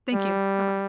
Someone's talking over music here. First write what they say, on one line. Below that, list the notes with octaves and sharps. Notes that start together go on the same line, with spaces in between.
Thank you. Bye-bye.
G3